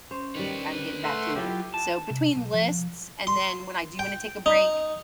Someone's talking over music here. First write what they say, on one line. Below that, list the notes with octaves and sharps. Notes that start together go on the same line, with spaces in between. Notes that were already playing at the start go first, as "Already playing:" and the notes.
I'm getting back to it." So, between lists, and then when I do wanna take a break,
C#4 C5
D#3 G3 B4 C#5
A3 F#5 C6
F#3 E4 F4 G4 A4 E5 G5
A5
C3
B1
F3
C6
G5
D#4